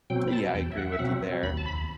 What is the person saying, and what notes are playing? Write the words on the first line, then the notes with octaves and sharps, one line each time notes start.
Yeah, I agree with you there.
B2 F#3 C4 G5
B5
A5
E2 G5
E5
F#5
E5
B2 F#3 C4 F#5
D#2 B5
A5
B5